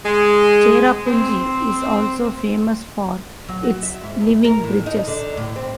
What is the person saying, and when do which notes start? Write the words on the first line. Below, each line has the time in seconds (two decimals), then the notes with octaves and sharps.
Cherrapunji is also famous for its living bridges.
0.03 G#3
1.06 C4
3.49 F#3
3.63 F#4
3.83 E5
4.03 G#2
4.20 G2
4.44 A#4
4.64 A2
4.86 D#4
5.07 D3
5.37 A2
5.56 C4